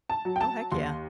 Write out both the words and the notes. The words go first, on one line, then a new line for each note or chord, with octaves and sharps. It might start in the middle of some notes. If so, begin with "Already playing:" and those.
Oh, heck yeah.
A5
F#3
G5
A5
D#2 C6